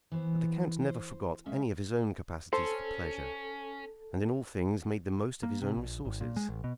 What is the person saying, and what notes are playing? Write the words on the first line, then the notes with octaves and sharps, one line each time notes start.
But the count never forgot any of his own capacities for pleasure, and in all things made the most of his own resources.
E3 B3 C5
C5
F#2 G#3 C#4 E5 F5
C#4 A4 C5
A#3
C3
A#1
G#1
A#2
G#3
A1
B2